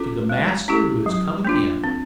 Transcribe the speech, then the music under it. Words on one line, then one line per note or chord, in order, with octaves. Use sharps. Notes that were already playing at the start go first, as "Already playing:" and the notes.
To the master who has come again!
Already playing: C#4 F4 A4
G#3
C#4 E4 G4
F#3
A#3 D4 F4
C4